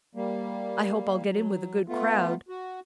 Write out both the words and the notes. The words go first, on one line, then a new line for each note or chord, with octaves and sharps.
I hope I'll get in with a good crowd.
G3 A#3
F#3
A3 B3 F4
F#4